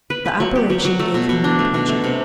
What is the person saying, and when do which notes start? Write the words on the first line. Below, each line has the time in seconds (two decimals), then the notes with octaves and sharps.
The operation gave him no pleasure.
0.10 B4
0.26 B4
0.40 F#3
0.55 G4
0.70 F#3
0.85 F#3
1.00 A3
1.14 B2
1.29 B2
1.44 D4
1.59 A3
1.74 B2
1.89 A3
2.04 C3